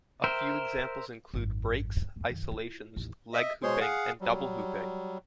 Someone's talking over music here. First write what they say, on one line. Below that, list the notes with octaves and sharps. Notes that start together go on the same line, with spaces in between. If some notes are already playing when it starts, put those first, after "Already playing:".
A few examples include breaks, isolations, leg hooping, and double hooping.
A#4 C5 E5 G5
G#1 F#2
E2 A2
F#2 D#3
E4 F4
A1 D#2
D#5 E5
B2 G#3 G#4 C5 C#5 C6
G#4 F5 F#5
F#3 G3